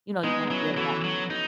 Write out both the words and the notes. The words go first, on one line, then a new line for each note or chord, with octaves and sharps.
you know, you wanna build that bond.
G#3 B3 D#4
D#4
F#3 C#4 E4
E3 F#4 A4
F#3
D#4